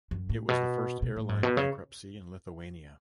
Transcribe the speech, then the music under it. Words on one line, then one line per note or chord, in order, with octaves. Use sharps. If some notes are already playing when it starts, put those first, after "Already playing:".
It was the first airline bankruptcy in Lithuania.
F#2
A2
B2
B2
A2
G#2
B2
C#3